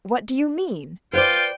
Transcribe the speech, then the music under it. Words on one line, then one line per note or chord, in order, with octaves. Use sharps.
"What do you mean?"
F4 B4 C5 D5 G5